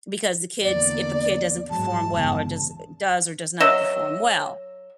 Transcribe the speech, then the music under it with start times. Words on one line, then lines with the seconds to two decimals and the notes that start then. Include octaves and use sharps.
because the kids if a kid doesn't perform well, or does does or does not perform well.
0.61 E2 D3 A#3 D5
1.70 G#2 F#3 G#3 A5
2.08 G1 E2 C#3
3.60 F#3 D#5 E5